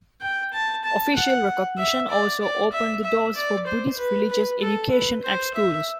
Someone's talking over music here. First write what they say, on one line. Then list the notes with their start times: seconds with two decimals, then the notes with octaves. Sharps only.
Official recognition also opened the doors for Buddhist religious education at schools.
0.21 G5
0.53 A5
0.84 A5
1.16 F#5
1.78 E5
2.10 D5
2.41 D5
2.72 E5
3.04 E5
3.35 D5
3.67 C5
3.98 B4
4.30 B4
4.61 A4
4.92 B4
5.24 C5
5.55 E5